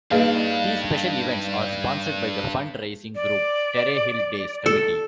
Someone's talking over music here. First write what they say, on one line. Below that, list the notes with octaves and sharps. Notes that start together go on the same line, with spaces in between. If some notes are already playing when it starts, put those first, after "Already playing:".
These special events are sponsored by the fund raising group Terre Hill Days Committee.
G2 A#3 D4 D#4 G#4 B4 F5
D5
A4